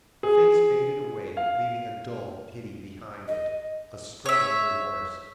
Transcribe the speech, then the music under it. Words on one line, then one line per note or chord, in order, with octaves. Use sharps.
The face faded away leaving a dull pity behind it, a struggling remorse.
G#4
F5
D#5
C#5 E5